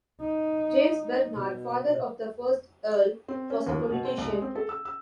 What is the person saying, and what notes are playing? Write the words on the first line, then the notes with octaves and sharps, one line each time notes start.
James Bernard, father of the first Earl, was a politician.
D#4
B2
C4
C#4
D#2
F3
B2
C4
C2
G#3
C4
A4
E6
E6